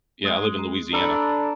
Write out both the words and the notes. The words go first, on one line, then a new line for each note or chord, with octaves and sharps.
yeah, I live in Louisiana.
G#3
D4 A4 A#5 B5